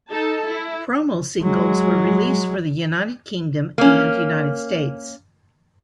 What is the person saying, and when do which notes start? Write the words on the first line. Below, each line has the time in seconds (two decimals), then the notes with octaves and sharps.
Promo singles were released for the United Kingdom and United States.
0.10 D#4 A4 A5
0.49 E4
1.43 F#3 G#3
3.78 A#3 C#4